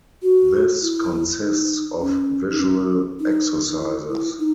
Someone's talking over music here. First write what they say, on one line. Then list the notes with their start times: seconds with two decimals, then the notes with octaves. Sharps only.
This consists of visual exercises.
0.22 F#4
0.82 E4
1.42 D#4
2.01 C#4
2.50 D#4
2.60 C#4
3.20 D#4
3.68 D#4
3.79 E4
4.09 E4
4.39 D#4